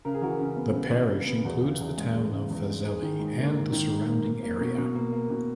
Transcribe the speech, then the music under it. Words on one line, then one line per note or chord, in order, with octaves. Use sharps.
The parish includes the town of Fazeley and the surrounding area.
C#3 A#4
G#4
E3 F#4 A#4
C#3
B3
C#3
E3
C#3
B3
E2 F#4
C#3
E2
G#3
E2
C#3
E2
G#3
G#2 G#4
D#3
G#2
A#3
G#2
D#3
G#2
A#3
A#3
A#3
B2
B2
A#3
A#3
B2